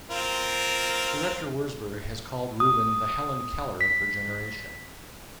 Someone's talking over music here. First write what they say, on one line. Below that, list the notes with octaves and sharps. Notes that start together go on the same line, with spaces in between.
Director Wurzburg has called Rubin the Helen Keller of her generation.
C4 F4 A#4
D#6
B6